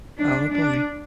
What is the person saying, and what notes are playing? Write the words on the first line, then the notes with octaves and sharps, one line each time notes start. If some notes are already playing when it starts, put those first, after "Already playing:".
Oh boy.
D4
D4